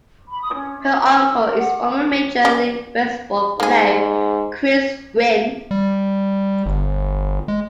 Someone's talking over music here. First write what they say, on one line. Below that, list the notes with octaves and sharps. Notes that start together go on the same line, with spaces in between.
Her uncle is former Major League Baseball player Chris Gwynn.
B5
D#6
C#4
E5
E6
A#4
F#5
C#4 G4 D5
G#2 A#3 G#4
G3
G1
G#3